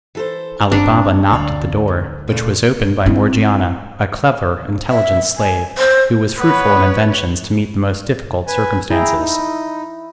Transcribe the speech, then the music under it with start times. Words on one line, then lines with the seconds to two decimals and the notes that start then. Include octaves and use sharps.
Ali Baba knocked at the door, which was opened by Morgiana, a clever, intelligent slave, who was fruitful in inventions to meet the most difficult circumstances.
0.15 E3 A4 C5
0.72 G1 C4 D4 A5 A#5
1.32 D2 C#5 D5 F5
1.88 G#2
2.28 A#2 C#3 A3
3.06 C4 E4
4.89 E5
5.37 G#5
5.78 C5
6.38 B3 B4 C#5
8.47 B4 G#5
8.90 E4 G#4 G5 A#5
9.20 D#4